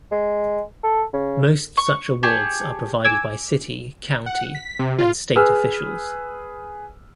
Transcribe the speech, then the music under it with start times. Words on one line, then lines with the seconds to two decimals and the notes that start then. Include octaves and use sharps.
Most such awards are provided by city, county and state officials.
0.12 G#3
0.83 A4
1.13 C#3
1.77 C#6
2.23 G4 G#4 C#5 A5
3.04 G#5 D6 E6 G#6
4.26 F#5
4.55 B6
4.79 C3
4.99 F4
5.36 G#4 B4 E6 F6